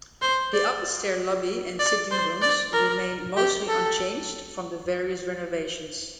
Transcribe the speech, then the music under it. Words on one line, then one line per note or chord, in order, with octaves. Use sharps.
The upper stair lobby and sitting rooms remain mostly unchanged from the various renovations.
C5
D5
D5
C5
D5
A#4
G4
A4